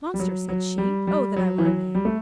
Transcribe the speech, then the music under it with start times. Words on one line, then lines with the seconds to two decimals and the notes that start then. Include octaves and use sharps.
"Monster!" said she; "oh! that I were a man!"
0.14 G3
0.20 F#3
0.49 F#3
0.78 G3
1.07 G3
1.36 F#3
1.58 E3
1.65 F#3
1.95 G3
2.05 A3